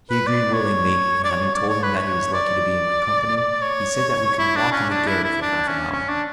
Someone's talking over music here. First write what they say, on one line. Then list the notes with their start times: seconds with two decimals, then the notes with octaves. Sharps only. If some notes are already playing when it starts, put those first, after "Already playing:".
He agreed willingly, and having told him that he was lucky to be in my company, he said that we could walk in the garret for half an hour.
0.10 B4
0.27 D5
0.53 C#5
1.24 D5
1.30 C#5
1.55 D5
1.69 C#5
1.83 B4
1.96 C#5
2.33 D5
3.36 D5
3.61 C#5
4.38 E4
4.56 D4
4.72 C#4
4.90 D4
5.07 E4
5.24 E4
5.42 D4
5.67 C#4
5.92 C#4
6.09 D4